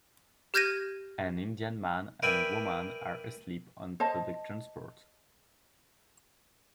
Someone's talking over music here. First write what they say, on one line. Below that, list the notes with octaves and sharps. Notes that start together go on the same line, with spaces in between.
An Indian man and woman are asleep on public transport.
G4 F6 G6 G#6 A#6 D#7
A#4 B4 D5 E5 G5 G#5
C5 D#5 A5